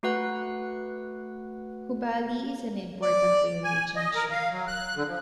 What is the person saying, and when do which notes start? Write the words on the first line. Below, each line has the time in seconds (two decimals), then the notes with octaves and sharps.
Hubballi is an important railway junction.
0.03 A3 F#4 B4 F#5 F#6
3.02 D5
3.64 G#5
3.96 D#5
4.14 A#4
4.31 F5
4.52 F#3
4.67 F#6
4.96 D3
5.07 F3